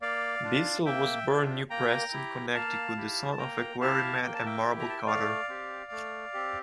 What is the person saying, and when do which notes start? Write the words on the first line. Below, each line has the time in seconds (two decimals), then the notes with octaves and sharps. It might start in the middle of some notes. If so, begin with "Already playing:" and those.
Bissell was born New Preston, Connecticut, the son of a quarryman and marble-cutter.
0.02 A#3 D5 F5
0.44 D4 F4
0.85 A#3 E5 G5
1.28 D4 F4
1.70 A#3 G5 A#5
2.13 E4 G4
2.54 A#3 F5 A5
2.97 E4 G4
3.32 A5
3.38 A#3 G5 A#5
3.80 E4 G4 F5 A5
4.23 A#3 G5
4.34 A5
4.46 E5 G5
4.66 E4 G4
4.80 A#5
4.89 A5
4.98 G5
5.07 A3 D5 F5
5.49 C4 G4
5.92 A3
6.34 C4 G4